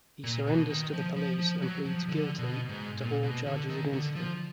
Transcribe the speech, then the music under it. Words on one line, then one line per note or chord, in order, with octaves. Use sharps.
He surrenders to the police and pleads guilty to all charges against him.
A#2
B2
D#3
F3
F3
F3
F#3
F3
D3
B2
G#2
A#2
B2
D3
D#3
D3
F3